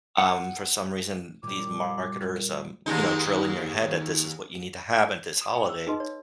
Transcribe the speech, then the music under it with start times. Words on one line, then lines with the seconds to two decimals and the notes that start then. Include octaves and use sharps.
Um, for some reason, these marketers, um, you know, drill in your head that this is what you need to have at this holiday,
0.18 F#5
1.43 A#2 G3 D6
2.24 A#4
2.86 D#2 G#3 D#4
5.42 D#6
5.55 G5
5.69 E6
5.87 D#4 G#4 B4 D#5 C6
6.00 C#5